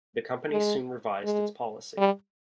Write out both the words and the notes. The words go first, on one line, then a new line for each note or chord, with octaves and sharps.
The company soon revised its policy.
G#3
G#3
G3